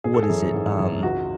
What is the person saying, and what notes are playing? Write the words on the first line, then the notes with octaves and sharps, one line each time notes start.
What is it? Um,
G#1 G#4
A4
G#4
F#2 E3
G#1
F#2 E3
C#2 F#4